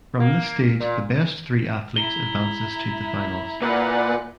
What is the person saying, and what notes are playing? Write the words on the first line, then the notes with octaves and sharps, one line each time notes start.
From this stage the best three athletes advances to the finals.
A#3
A#2
E4 A#5 G7
A#2 B4 D5 F#5